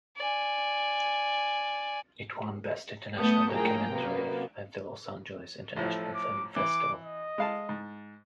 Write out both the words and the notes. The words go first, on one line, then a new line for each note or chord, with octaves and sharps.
It won Best International Documentary at the Los Angeles International Film Festival.
D5 G#5
A3 B3 A5 D#6 G6 C#7
A#1 A2 A#3 G#4 G5 A#5
F#2 C3 A#3 B3
A1 A2 F3 A4
D6
E3 D6
D#5
G#3 F5 A5
G#2